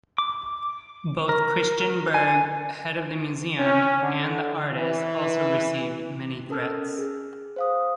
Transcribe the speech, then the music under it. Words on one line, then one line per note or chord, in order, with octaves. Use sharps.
Both Kristian Berg, head of the museum, and the artists also received many threats.
D6
A#4
G#5
C#4
D3
E3
C#4 A4 A#4 A5 E6 F6
G#4
C5 F5 D#6